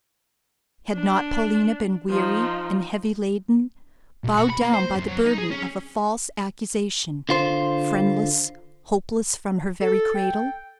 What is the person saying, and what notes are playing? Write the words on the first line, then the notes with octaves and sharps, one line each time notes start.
Had not Paulina been "weary, and heavy laden," bowed down by the burden of a false accusation, friendless, hopeless, from her very cradle?
D4
F3 D#4
B1
F#4
B5
A#3
C5
F#2
F#3
D#4
G#4
C#4
D3 F4 C5
A4
G5